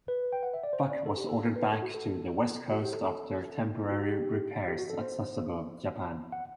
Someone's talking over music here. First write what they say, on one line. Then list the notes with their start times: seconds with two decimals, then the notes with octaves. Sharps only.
"Buck" was ordered back to the west coast after temporary repairs at Sasebo, Japan.
0.08 B4
0.33 G5
0.43 F#5
0.54 E5
0.63 D5
0.73 C5
0.90 D5
1.06 A4
1.17 G4
1.29 A4
1.39 A4
1.56 B4
1.73 A4
1.82 F#4
1.94 A4
2.71 F#4
2.82 G4
2.92 A4
3.03 A4
3.79 E4
3.91 F#4
4.02 G4
4.68 G4
4.78 F#4
4.90 A4
5.01 C5
6.32 F#5